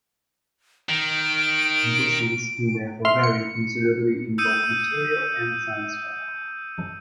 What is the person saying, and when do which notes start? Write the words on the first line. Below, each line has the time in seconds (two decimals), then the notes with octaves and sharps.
Bushings can therefore vary considerably in both material and design style.
0.89 D#3 D7
3.05 E5 C6 F6
3.24 C#7
4.38 D#6 E6 G6 C#7 D#7